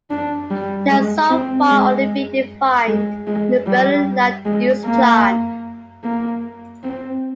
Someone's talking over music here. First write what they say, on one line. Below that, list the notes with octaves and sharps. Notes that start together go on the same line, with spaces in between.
It has so far only been defined in the Berlin land use plan.
D4
G3
G#3
C4
G#3
G#3
G#3
G3
G#3
A#3
A#3
C4